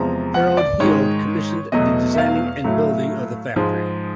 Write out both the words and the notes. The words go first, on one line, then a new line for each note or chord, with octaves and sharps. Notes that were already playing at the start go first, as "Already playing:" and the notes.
Harold Heal commissioned the designing and building of the factory.
Already playing: E2 C3 F3 G#3 A#5
F#5
D5
G#2 D#3 G#3 C#5
E2 B2 F#3 A3 D#5
E5
F5
A2 F#3 A3
G#2 F3 G#3